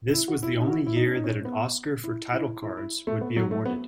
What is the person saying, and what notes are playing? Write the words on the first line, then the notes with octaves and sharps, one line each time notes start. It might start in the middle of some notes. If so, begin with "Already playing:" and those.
This was the only year that an Oscar for title cards would be awarded.
E4
F#4
E4
D#4
F#4
E4
E4
D#4
C#4
D#4
C#4
B3
E4
E4
E4
E4
A3
B3
F#3
A3
B3